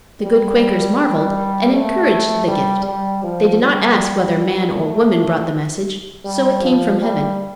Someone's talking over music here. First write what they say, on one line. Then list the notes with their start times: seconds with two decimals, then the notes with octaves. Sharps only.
The good Quakers marvelled, and encouraged the "gift." They did not ask whether man or woman brought the message, so it came from heaven.
0.22 G3
0.96 G3
1.72 A3
2.47 G3
2.85 G3
3.23 F3
3.61 G3
4.74 A3
6.25 G3
6.62 F3
7.00 G3